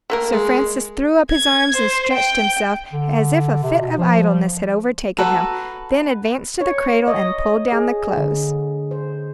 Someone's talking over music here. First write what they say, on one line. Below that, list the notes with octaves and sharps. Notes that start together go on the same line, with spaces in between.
Sir Francis threw up his arms and stretched himself, as if a fit of idleness had overtaken him; then advanced to the cradle and pulled down the clothes.
A3 A#3 A#4
G#3
G#6
C5
G5
D3
C3
B2
F3
F#4 A4 B4 A#5
C#5
D#5
G#4
D3
C5